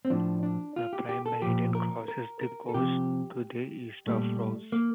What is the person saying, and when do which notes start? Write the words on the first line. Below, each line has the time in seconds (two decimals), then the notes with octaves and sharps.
The Prime Meridian crosses the coast to the east of Roos.
0.05 C4
0.10 A2 F3 D4
0.43 D4
0.76 F4
0.93 G4
1.09 G4
1.26 A4
1.42 A#2 F3 G4
1.75 A#4
2.08 A#4
2.41 A#4
2.69 A4
2.74 C3 F3 G4
4.06 A#2 G3 A3
4.72 A#3